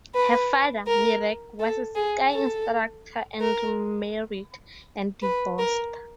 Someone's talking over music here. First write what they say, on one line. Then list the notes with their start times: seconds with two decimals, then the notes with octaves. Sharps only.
Her father, Mirek, was a ski instructor and remarried and divorced.
0.14 B4
0.87 A#4
1.60 A4
1.95 G#4
2.32 A4
3.41 A#4
5.22 B4
5.58 A#4